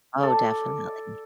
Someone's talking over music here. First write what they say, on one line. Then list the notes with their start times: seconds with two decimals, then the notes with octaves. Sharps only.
Oh, definitely.
0.21 A4 D5